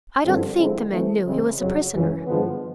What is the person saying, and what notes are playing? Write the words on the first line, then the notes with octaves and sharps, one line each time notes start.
I don't think the man knew he was a prisoner.
G2 D3 F3 G#3 C4
D3 F3 G#3 C4 E4
E3 A3 C4
C#3 E3 G#3 C4
F2 C#3 F#3
F#2 C#3 E3 G#3 C#4
G2 D3 F3 G#3 B3